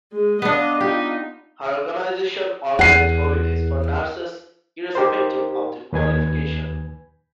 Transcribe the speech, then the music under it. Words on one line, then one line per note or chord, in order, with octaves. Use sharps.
Her organisation organised holidays for nurses irrespective of their qualification.
G#3
B3 D4 D#5 F5
D#4 F4 G4
E2 F#5 C7 D#7
D#4 G4 A#4 C5
D#2 B4 G#5 G#6